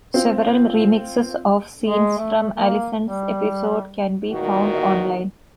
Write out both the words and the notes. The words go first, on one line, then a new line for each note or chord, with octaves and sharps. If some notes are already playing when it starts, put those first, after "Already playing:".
Several remixes of scenes from Allison's episode can be found online.
C4 F4
G#3
A3
A#3
G3
E2 A#2 D#3 F#4